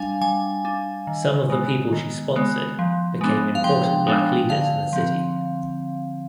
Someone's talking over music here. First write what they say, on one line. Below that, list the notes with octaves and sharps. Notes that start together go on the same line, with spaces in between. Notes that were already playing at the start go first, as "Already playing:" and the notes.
Some of the people she sponsored became important black leaders in the city.
Already playing: G3 D4 F5 G#5
G3 G#5
D4
D#3
G#3 B3
D#3
G#3 B3
F3
G#3 B3 D4
F5
F3 G5
G#3 B3 D4
D3 F5
F3 C4